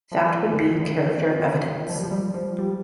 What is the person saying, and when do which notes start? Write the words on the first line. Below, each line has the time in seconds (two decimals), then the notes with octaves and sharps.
That would be character evidence.
0.12 F3
0.47 D#3
0.54 D3
0.61 D#3
0.75 D#3
0.82 D3
1.17 C3
1.40 D3
1.64 D#3
1.88 F3
1.96 G3
2.03 F3
2.11 G3
2.34 F3
2.58 G3